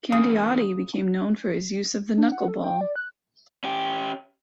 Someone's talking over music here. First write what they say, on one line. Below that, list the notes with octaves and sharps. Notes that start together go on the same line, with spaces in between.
Candiotti became known for his use of the knuckleball.
E2 C#3 A#3 D#6
D4
F#5
A4
G5
D5
F#6
C#4 G4